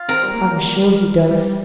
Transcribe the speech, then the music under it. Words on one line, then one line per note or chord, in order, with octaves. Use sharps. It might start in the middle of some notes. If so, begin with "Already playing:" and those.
"I am sure he does."
Already playing: F4
C4 A#4
G3
A#3
G3
G3
G3